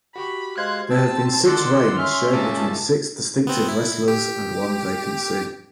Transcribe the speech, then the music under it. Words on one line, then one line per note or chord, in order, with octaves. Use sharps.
There have been six reigns shared between six distinctive wrestlers and one vacancy.
F#4 G4 B5 C#6
G#3 C5 F5 F#6 G#6
C4 A5 E6
D3 D#3 D5 F#5 C6 E6
C#4 E5 F6
A#2 C#3 G#3 A5
B3 C4
E4
G4